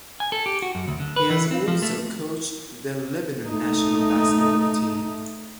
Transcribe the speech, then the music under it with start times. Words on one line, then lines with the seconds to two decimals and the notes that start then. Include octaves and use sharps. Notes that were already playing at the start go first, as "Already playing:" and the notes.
He has also coached the Lebanon national basketball team.
0.20 G#5
0.32 A4
0.46 G4
0.62 F#4
0.75 F#2
0.88 D2
1.00 D3
1.16 B4
1.30 E3
1.51 C4
1.68 F3
1.82 A3
3.49 A3 D#4